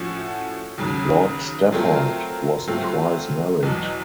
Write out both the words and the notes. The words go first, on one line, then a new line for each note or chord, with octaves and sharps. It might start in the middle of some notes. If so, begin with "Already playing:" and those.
Lord Stafford was twice married.
Already playing: A2 F3 A3 C#4 F#4
D#2 C#3 F#3
F#3 A3 C4 F4 A#4
F#3 A3 C4 F4
E2 B2 F#3